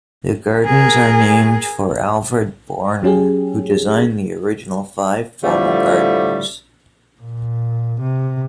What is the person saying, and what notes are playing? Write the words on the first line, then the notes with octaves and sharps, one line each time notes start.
The gardens are named for Alfred Boerner, who designed the original five formal gardens.
G#4 A#4
F#3 C#4 G4 G#4
A2 D3 F3 G3 A3
A#2
C3